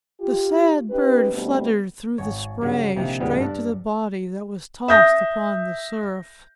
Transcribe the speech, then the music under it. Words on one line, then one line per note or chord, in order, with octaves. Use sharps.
The sad bird fluttered through the spray straight to the body that was tossed upon the surf.
F4 G4
C#4 D#4 G4 B4
B2 D3 G3 A3 B3 C4
G#1 C#5
G2 C#3 F#3
A#1 C3 D#3 A#3
D#2 A2 C#3 F3 G3 B3
G2 D4 A5
E5 D#6 G6 A#6